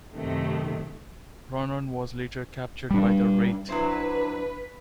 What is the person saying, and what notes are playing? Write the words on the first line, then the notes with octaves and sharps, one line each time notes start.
Ronon was later captured by the Wraith.
F#2 C3 D#3 A3
G3 D4
F#3 D4 E4 B4 C5